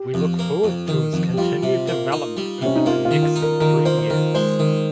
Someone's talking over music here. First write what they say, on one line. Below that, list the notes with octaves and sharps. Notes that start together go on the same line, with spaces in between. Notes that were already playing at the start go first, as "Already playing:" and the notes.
We look forward to his continued development over the next three years.
Already playing: G4
F2
A#3
F2
D#3
F2
G4
G3 F4
C3
A#3
D#4
G3
C3 C#4
D#4
A#3 F4
F4
D#3
F4
D#4
A#4
D#3 A#4
A#3 C5
C5
D#3 A#4
G#3 C5
D#3